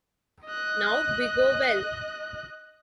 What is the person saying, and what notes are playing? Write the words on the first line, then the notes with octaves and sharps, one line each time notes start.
Now we go well!
D#5 F#6